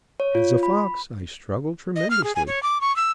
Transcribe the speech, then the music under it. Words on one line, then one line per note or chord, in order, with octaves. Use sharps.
As a fox, I struggled tremendously.
C#5
F4
B5
D#5
F6
G#4
G#5
C#5
D6
C#6
E6